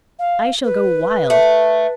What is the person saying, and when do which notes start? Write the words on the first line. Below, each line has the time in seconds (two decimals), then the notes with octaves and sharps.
I shall go wild!
0.19 F5
0.64 B4
1.30 A3